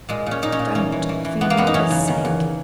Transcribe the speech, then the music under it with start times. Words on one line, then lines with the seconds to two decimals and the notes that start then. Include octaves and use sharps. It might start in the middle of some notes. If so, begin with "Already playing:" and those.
Don't, for your mother's sake.'
0.09 A#2 G#3
0.26 A#2 C#4
0.42 A#2 D#4
0.52 C#4
0.59 A#2
0.75 E3 C#4
0.92 E3
1.09 E3
1.25 E3
1.41 E3 B3
1.50 A#3
1.57 F#2 B3
1.67 D#4
1.74 E3 C#4
1.91 C#3
2.08 D#3
2.25 E2